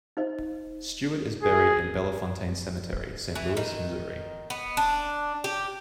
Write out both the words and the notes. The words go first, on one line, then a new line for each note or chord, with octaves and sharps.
Stewart is buried in Bellefontaine Cemetery, Saint Louis, Missouri.
D#4 C5 D#5
G#4
E3
D#3
B3
D4
G4